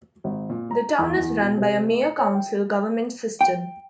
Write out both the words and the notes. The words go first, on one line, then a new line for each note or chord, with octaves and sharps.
The town is run by a Mayor-council government system.
G#1
A#2
A#5
E2
E2
B2
C3
A3
C#7
C#5
G5
G5